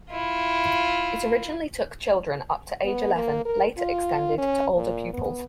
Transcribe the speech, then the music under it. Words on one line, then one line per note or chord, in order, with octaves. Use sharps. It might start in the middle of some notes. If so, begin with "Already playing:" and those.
It originally took children up to age eleven, later extended to older pupils.
E4 F4
B3
A#3
A#4
F4
C#4
A#2
B3